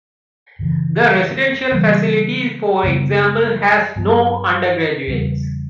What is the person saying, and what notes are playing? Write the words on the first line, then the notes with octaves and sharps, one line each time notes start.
The residential facility, for example, has no undergraduates.
F#2 C#3 E3
C#3 E3 G3 A#3
F#2 C#3 G3 B3
G2 F#3 B3
E2 C#3 G3